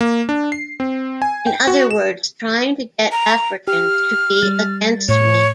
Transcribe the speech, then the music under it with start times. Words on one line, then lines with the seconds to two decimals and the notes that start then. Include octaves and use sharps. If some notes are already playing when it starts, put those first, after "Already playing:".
In other words, trying to get Africans to be against me.
0.01 A#3
0.29 D4
0.52 C7
0.80 C4
1.22 G#5
1.47 G5
1.67 F#4
1.91 E7
3.12 A#5
3.68 G4 F6
4.42 G3 A6
5.09 A2 C#5